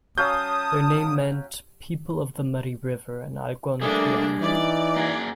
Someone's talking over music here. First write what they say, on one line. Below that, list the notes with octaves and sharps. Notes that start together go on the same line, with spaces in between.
Their name meant "people of the muddy river" in Algonquian.
F#3 C#4 F5 A5 D#6 G6
G3 A3 A#3 D4 G#4
E3 D#4 D5
A#3 F#4 G#4